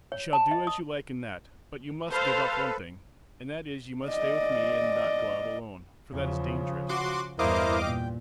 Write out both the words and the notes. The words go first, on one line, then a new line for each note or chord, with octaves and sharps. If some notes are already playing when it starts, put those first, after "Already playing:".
You shall do as you like in that, but you must give up one thing, and that is you must stay with me and not go out alone, for that is dangerous.
C#5
A5
D#5
D#6
A4 B4 C5 F5
D5 D#5
E2 C#3 F3
F#4 C6 D6
E2 G2 E4 A#4 C5 D#5 F5 D6
A#2 G5